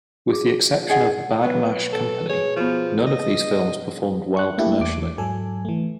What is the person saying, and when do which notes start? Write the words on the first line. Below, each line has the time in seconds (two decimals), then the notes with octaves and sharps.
With the exception of "Badmaash Company", none of these films performed well commercially.
0.33 G#4
0.90 D#4 G#4 D#5 F#5
1.42 B2 F#3 B3
1.93 A4
2.30 G#4 C#5
2.56 F3 B3 F#4
3.07 D#5
4.36 C#6 F#6
4.58 A3 A#3 D4 E4 G4 A4
4.80 E2 D6
5.18 G#2 F#3 A4 G#5
5.65 E3 A3